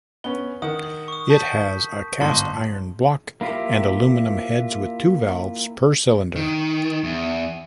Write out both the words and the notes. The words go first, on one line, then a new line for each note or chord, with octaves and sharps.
It has a cast iron block and aluminum heads with two valves per cylinder.
B3 C#4 G7
D#3 F#5 D#6
C#6 D#6
A5 G6 B6
G1 G#2 D#5 A5 C6
A#3 E4 F4 G4
D#3
E2